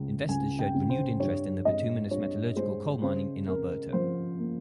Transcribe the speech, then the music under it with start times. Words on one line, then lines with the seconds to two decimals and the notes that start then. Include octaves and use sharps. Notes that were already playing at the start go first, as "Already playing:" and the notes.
Investors showed renewed interest in the bituminous metallurgical coal mining in Alberta.
Already playing: C#2 C#3
0.29 C#2 G#5
0.59 G5
0.74 C#3
0.90 C5
1.20 G2 C#5
1.65 G#3 D#5
2.11 G2 C#5
2.56 G#3 C5
3.02 C#3 C5
3.48 C#3 A#4
3.93 F3 C5
4.39 A#3